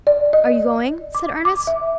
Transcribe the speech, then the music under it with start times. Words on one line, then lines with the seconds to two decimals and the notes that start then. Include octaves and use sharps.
"Are you going?" said Ernest.
0.07 D5
0.33 D#5
1.15 D6
1.45 D6
1.67 E5